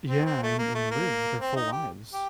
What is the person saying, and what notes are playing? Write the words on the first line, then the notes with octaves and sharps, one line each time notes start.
Yeah, and and live their full lives.
C4
C4
A3
A#3
A3
A#3
C4
D#4
G4
G4